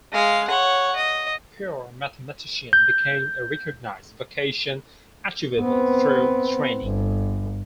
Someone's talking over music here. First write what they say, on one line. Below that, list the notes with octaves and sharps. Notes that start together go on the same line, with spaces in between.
Pure mathematician became a recognized vocation, achievable through training.
G#3 F5
C#5 F#5
D#5
G6
B3 C4
G1